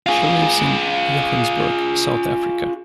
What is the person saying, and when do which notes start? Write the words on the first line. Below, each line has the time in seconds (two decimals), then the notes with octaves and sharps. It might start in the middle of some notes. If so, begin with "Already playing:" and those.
She lives in Johannesburg, South Africa.
0.06 F4 G#4